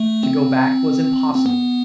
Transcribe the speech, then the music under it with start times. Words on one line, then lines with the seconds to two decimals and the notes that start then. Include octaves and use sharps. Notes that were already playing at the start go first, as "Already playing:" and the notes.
To go back was impossible.
Already playing: A3
0.23 C4
1.35 C4
1.46 B3